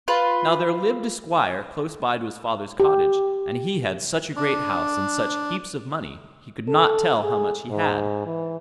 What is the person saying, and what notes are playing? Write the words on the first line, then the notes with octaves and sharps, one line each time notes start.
Now there lived a Squire close by to his father's cottage, and he had such a great house, and such heaps of money, he could not tell how much he had.
F4 B4
G4
D4
A4
G#4
G#2
E3